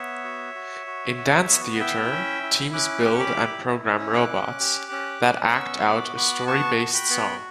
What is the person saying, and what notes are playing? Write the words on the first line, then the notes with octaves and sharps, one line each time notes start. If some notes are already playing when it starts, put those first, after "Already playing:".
In Dance Theatre, teams build and program robots that act out a story-based song.
Already playing: B3 C#5 E5
F#4
F#4
F#4
F#4
B3
E4 E5 G5
C#4
E4
C#4 D6 F#6
G4
C#6
B5 D6
E4
E4
C#4
D6 F#6
C#4
G4
C#4
C#4
B3 C#6 E6
F#4 B5 D6
B3 B5 D6
F#4 A5 C#6
F#4
G5 B5
B3